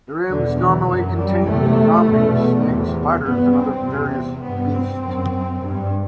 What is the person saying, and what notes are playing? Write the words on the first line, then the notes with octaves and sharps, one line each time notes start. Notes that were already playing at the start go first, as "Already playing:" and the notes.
The rooms normally contained zombies, snakes, spiders and other various beasts.
E2 B2 D3
E3
F#2 F#3
G3
E2 C3 A3
E2 B2
E2 C3
G2 B3
C4
E2 C3
G2 B3
C4
F#2
G2